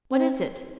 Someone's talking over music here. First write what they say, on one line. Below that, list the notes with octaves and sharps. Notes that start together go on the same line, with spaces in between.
'What is it?
C4